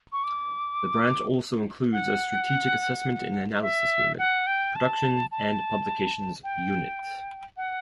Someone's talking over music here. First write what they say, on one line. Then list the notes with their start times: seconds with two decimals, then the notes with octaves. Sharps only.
The Branch also includes a Strategic Assessment and Analysis Unit, Production and Publications Unit.
0.12 C#6
0.24 D6
1.93 F#5
3.62 E5
4.19 F#5
4.47 G5
4.75 A5
5.32 A5
6.44 G5
7.57 F#5